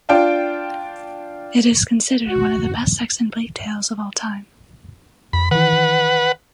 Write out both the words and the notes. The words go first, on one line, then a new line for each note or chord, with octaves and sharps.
It is considered one of the best Sexton Blake tales of all time.
D4 F4 G5
F#4
F2 B5
D#3 E3 B4 F#5